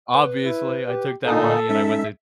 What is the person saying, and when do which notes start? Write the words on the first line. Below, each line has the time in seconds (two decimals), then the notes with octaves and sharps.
obviously, I took that money and I went to
0.15 B4
0.44 E4
0.88 G4
1.25 A#2 D3 D#4 A4 F5 G#5 D#6
1.69 G#3 C#4 D#4 E5